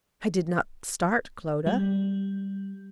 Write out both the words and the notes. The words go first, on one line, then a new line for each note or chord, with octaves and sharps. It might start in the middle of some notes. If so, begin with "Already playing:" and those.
I did not start, Clodagh!
G3